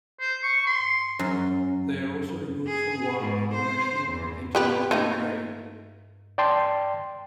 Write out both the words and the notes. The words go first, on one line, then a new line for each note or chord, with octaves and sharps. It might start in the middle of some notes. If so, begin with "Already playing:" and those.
They are also removed from wild for national and international trade.
C5
C#6
C6
F#2
G#4
G#2
C5
E2
B3 G4 B4
A3 A#3 D#4
D5 G5 A5 C6